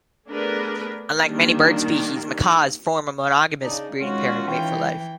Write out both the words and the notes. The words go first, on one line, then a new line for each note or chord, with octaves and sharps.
Unlike many bird species, macaws form a monogamous breeding pair and mate for life.
A3 B3 D4 G#4 A#4 B4
D#3 G3 A#3 D4
C#3 D4 D#4
D#3 G#3 C#4 F4 F#4
E3 G5